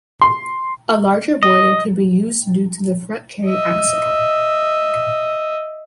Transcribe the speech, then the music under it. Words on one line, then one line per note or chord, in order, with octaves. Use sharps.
A larger boiler could be used due to the front carrying axle.
C6
D#5
D#5 E5